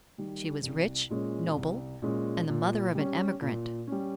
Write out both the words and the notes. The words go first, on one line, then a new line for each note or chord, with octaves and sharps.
She was rich, noble, and the mother of an Emigrant.
D#3 G3
C2
A#2 G#3 C#4
C2
A#2 G#3 C#4
A#2
G3 C#4
A#2
G3 C#4